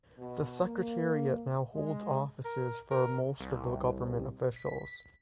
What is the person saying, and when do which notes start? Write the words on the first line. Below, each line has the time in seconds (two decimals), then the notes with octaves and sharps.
The Secretariat now holds offices for most of the Government officials.
0.19 B2
0.63 A#3
1.75 G#3
2.45 A#4
2.91 A#4
3.40 C2
4.56 B6